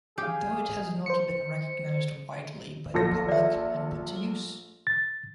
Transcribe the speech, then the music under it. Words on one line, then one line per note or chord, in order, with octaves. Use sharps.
Though it has not been recognised widely by the public and put to use.
G4 G#4 F5 G#5
C5 C#7
A#1 A4 A#6
D5 E5
A6